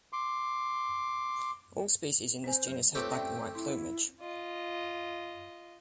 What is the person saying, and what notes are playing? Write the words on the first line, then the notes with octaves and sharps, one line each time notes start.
All species in this genus have black and white plumage.
C6 D6
C4 C5 G#5
F#3
A3 C4 F4 G4 G#4 B4 C#5
C#4 D5 E5 G5
E4 C6
F4 D#5